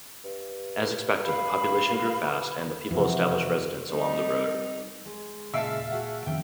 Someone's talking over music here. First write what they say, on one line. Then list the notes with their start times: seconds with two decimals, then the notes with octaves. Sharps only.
As expected, the population grew fast and the people established residence along the road.
0.24 G2
1.24 F5 B5
2.91 F2 C3 E3 F#4
3.91 G3 C4 D#4
5.05 G#3
5.54 A#2 C#3 G#3 E5 F5 A5
5.91 F#4 G#4 F#5
6.26 F2 D#3 C#4 G5